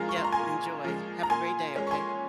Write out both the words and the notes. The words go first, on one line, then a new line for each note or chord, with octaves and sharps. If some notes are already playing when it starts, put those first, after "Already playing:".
Yep, enjoy. Have a great day, okay?
Already playing: A#2 F3 G#3 F5 G#5 A#5
C#6
C6
A#5
G#5 C6
A#2
F3 G#3
A#5
A#2 G#5 C6
G#3 C#4
C#6
G#5 C6